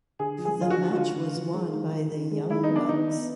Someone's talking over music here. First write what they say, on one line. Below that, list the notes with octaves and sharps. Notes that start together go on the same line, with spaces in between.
The match was won by The Young Bucks.
D3 G#4
F3
G#4
D3 F4
F#4
D3
F#4
D3 F4
D3
F3
G#3
D#3
D#3
D#3
G#3
D#3 E4
D#4
B3
D4
D#3 D#4
B3